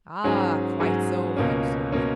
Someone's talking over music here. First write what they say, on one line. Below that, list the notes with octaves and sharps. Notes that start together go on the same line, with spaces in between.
"Ah, quite so!" he observed.
G#2 F#3 C#4 G#4
G#2 F#3 C#4 G#4
C#2 B2 A#3 C#4
B2 A#3 C#4